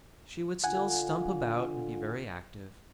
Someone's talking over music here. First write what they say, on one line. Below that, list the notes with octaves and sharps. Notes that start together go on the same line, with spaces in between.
She would still stump about and be very active.
D3 F4 F#5 G#5